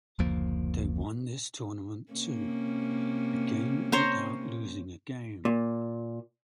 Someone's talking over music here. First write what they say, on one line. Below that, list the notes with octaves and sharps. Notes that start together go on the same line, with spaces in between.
They won this tournament too, again without losing a game.
F#1 D2 F3 A#3
C3 A#3 C#4
C5 C#5 A#5
A#2